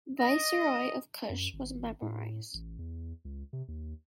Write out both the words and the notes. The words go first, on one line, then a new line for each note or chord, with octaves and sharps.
Viceroy of Kush was Merimose.
D#5 A#6
F#2
G#1
A2
A1
E2
C#2
C3
D#2